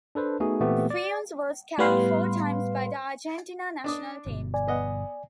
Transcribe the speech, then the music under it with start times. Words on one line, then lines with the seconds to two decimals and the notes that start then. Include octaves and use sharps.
Funes was capped four times by the Argentina National Team.
0.15 D4 A4 B4 C5
0.40 A3 B3 D#4 F#4 G#4
0.60 A#2 E3 A3 B3 C4 G4
0.90 D5
1.78 A2 G3 B3 B4 F5 C6
3.84 D4 D6 D#6
4.26 G1 B2
4.54 D5 G#5
4.67 B3 D#5 F#5